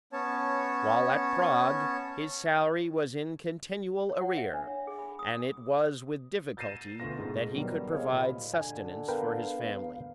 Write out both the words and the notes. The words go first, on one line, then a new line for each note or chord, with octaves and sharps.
While at Prague his salary was in continual arrear, and it was with difficulty that he could provide sustenance for his family.
B3 C#4 C#5 A5
C#5
F#5
E5
D4
C#5
G#4
B5
D#6
G6 A6 A#6 C7 D#7 E7
D2 B2 B3 F4 A#6
G#2 B2
B2 D#3 F#3 G3 B3
G4 G#4 C5 C#5 D#5 F5
A#2 D#5 B5
D3 G#5
B3 A#4 B4 F5 G5